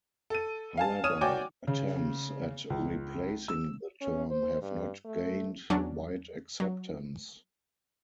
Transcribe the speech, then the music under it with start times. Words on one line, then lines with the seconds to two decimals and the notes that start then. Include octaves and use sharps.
However, attempts at replacing the term have not gained wide acceptance.
0.30 A4 D#7
0.77 F5 G#5 A5
1.04 C#5 D#6 F6 D#7 E7
1.21 F#4 C#5 D5 G5 G#5 D6
1.67 C#3
2.70 C#2
3.48 E6
4.01 C#4
4.30 C5
4.62 G2
5.05 A3
5.70 E2 F#3 C#4 D4
6.60 F#3